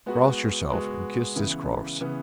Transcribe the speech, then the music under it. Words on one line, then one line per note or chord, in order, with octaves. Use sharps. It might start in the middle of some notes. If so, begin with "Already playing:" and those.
Cross yourself and kiss this cross.
G#3 B3 F#4
G#3 B3 F#4
C#3 E3 B3
C#3 E3 B3